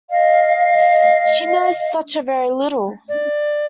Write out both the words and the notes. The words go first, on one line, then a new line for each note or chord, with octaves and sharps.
She knows such a very little!
D#5 F5
D5